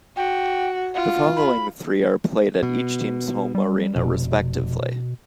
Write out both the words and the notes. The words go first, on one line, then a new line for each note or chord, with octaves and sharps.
The following three are played at each team's home arena respectively.
F#4 G5
F4 F#5
B5
B2
G3
F1 B2